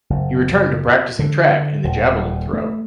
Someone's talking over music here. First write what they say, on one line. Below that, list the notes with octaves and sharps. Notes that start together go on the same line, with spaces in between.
He returned to practicing track and the javelin throw.
F#1
D3
D#1
A3